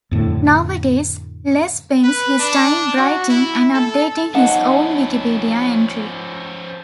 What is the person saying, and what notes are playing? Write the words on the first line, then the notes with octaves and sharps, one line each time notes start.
Nowadays Les spends his time writing and updating his own Wikipedia entry.
F2 A2 D3
B4
D4
F#4
E4
A4
F3 C#4 D#4 F#5 A5